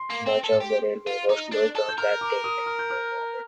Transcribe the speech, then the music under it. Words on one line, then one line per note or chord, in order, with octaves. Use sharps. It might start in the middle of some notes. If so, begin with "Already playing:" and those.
Much of the railway was closed on that date.
Already playing: C6
A#3
C4
A4
G4
F4
D#4
D4
A4
G6
A#4 F6
D6
D#6
F6
G6
F6